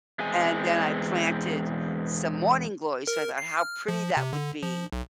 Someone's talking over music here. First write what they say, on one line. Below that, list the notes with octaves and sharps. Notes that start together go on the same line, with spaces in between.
and then I planted some morning glories so I thought how pretty that would be,
E2 G#3 C4 G#5
A#4
C7
F6
F3
C3
D3
F3
B1